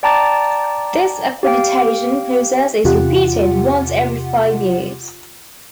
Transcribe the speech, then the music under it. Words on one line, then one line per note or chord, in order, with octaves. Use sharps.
This accreditation process is repeated once every five years.
D5 G5 A5 A#5 D6 A6
G4 F5 G5
E2 C3 F4 G4 F#5